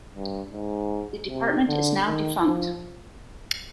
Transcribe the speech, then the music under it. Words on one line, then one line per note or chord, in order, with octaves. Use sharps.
The department is now defunct.
G2
G#2
C3
D3
D#3
F3